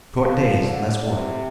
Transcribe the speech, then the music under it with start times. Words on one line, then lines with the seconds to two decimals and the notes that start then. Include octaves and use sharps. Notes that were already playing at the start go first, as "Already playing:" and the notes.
Short days, less work.
0.20 F3
0.62 D3
1.05 C3